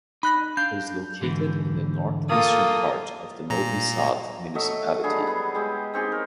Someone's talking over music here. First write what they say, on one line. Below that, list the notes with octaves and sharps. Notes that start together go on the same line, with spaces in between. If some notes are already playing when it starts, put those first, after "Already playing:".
It is located in the north-eastern part of the Novi Sad municipality.
D#4 B5 F#6 A#6
D4 F5 G6
G#2 D3 E3
A#3 F4 A4 D#6
A#2 A#5
F#3 A3 D#5 E5
F#3 G3 D4 G#4
B3
G#3 E4 G4
C4 D#4 G4 G#4
A#4 C#5